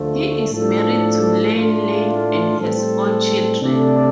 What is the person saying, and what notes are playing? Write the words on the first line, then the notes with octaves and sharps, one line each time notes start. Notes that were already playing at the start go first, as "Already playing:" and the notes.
He is married to Lenlen and has four children.
Already playing: D2 D3 F3 A3
A2 F3 D4 A4
A2 A3 D4 F4
A2 G3 C4 A4
C3 A3 D4 A4 D5